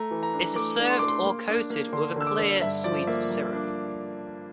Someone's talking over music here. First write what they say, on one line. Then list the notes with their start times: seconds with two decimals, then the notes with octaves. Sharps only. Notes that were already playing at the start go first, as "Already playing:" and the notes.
It is served or coated with a clear, sweet syrup.
Already playing: A3 A#5
0.11 E3
0.23 A#5
0.33 D4
0.56 A3 D6
0.80 D4
0.90 C6
0.99 A3 D6
1.08 C6
1.24 A#3
1.48 D4
1.70 A#3
1.93 D3 C6
2.16 D3 E6
2.27 D6
2.39 D3
2.62 G2 E5
2.84 F3 D5
3.07 A#3 E5
3.30 G2
3.53 D4